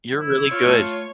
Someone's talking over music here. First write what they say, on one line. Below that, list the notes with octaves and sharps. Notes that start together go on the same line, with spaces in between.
You're really good.
E4
F4 C#5
A3 A5